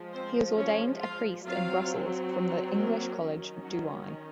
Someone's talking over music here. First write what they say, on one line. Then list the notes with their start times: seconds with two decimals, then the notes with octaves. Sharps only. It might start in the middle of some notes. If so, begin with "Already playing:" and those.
He was ordained a priest in Brussels from the English College, Douai.
Already playing: F3 G#3
0.13 C4 C5
0.57 C#4 C#5
1.01 F4 F5
1.45 F#3 C4 F4 F5
2.76 A#3 A#4
3.20 D#3 F#3 C#4
3.63 F#3 F#4